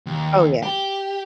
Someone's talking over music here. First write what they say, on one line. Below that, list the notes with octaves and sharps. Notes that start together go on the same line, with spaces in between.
Oh, yeah.
D#2
G4